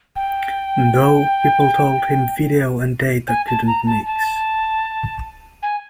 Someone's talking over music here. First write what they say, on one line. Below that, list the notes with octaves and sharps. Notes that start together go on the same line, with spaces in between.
Though, people told him video and data couldn't mix.
G5
G#5
A5
A#5
A5
A5
G#5